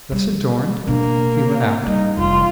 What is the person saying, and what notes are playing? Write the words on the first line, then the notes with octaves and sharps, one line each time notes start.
Thus adorned, he went out.
G3
B2 A#3 D4
G3 D#4
F1 E3 F4